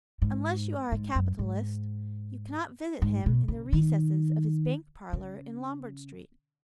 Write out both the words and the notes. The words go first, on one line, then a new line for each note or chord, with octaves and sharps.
Unless you are a capitalist, you cannot visit him in the recesses of his bank parlour in Lombard Street.
G#2
G#2
F#2
G#2
G#2
B2
C#3
D#3
C#3